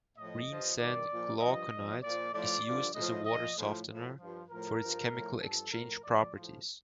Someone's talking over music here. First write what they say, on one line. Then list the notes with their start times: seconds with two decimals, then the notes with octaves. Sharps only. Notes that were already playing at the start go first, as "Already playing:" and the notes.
Greensand glauconite is used as a water softener for its chemical-exchange properties.
0.17 A2 F3 D#5
0.49 G2 F3
0.79 G2 D#3 D5
1.10 A#2 F3
1.41 G2 F3 D#5
1.72 A#2 F3
2.03 A#2 F3 D5
2.33 A2 F3 D5
2.64 G2 D3 F3
2.95 A2 F3 D#5
3.25 A#2 F3 D#5
3.57 A2 F3
3.88 A2 F3
4.18 G2 F3
4.49 A2 F3 A#4
4.80 G2 F3
5.11 A2 F3
5.41 G2 F3 A4
5.72 A2 F3 A#4
6.03 A2 F3 D5
6.34 A2 F3